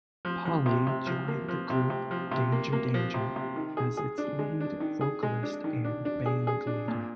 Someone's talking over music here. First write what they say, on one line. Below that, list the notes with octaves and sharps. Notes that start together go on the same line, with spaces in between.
Poley joined the group Danger Danger as its lead vocalist and bandleader.
F3
F3
C3
C3
F3
A#3
F3
C3
C3
F3
C3
A#3
A#3
F3
C3
C3
D#3
G#4
G#4
D4
G#3
D4
D#3
G#4
G#3
D4
D#3
D4
D4
G#4
G#4
D4
A#2